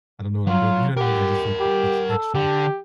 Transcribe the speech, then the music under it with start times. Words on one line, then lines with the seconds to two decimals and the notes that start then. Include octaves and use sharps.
I don't know what I'm doing, you know what I mean? I just look it's extra.
0.47 F#3 F4
0.97 G4 A#4 F#5
1.60 G4
2.10 A4
2.35 D3 G4